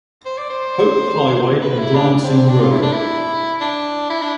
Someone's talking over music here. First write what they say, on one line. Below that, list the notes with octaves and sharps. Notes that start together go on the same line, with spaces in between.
Hope Highway and Lansing Road.
C5
D5
C5
B4
E4
D4
C4
C4
D4
F4
E4
D4
E4
D4
E4
D4